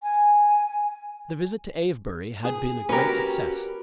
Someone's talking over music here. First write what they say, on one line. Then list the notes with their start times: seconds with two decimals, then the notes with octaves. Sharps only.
The visit to Avebury had been a great success.
0.03 G#5
2.45 G#4
2.89 C#4 F#4 G4 A#4 B4